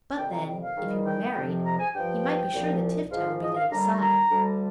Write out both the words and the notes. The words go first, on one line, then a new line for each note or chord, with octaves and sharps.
But then, if he were married, he might be sure that Tifto would be laid aside.
F2 C3 D#3 G3 G5
A#5
G5
F5
G#2 D#3 G3
G5
F2 C3 F3
A#5
G#5
G2 F3 G5
C2 A#2 F3
G#2 F3 F5
D#5
F5
D#2 D3 G3 A#5
A#5
D2 D3 G3